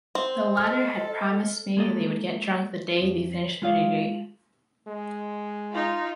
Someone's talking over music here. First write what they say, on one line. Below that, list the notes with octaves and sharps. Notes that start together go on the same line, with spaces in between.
The latter had promised me they would get drunk the day they finished their degree.
C4
A4 D#5 F6
G#3 A#3 A4 D#5
F2
G#3 F4 F5
G#3
D#4 F4